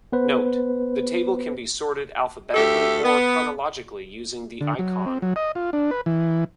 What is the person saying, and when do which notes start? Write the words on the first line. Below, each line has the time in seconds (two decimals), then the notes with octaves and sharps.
Note: The table can be sorted alphabetically or chronologically using the icon.
0.12 B3 B4 C5
2.55 D2 G4 A4 E5
3.04 B3
4.61 D3
4.79 F#3
5.06 C4
5.22 F#3
5.36 D#5
5.55 F4
5.73 D4
5.91 B4
6.06 E3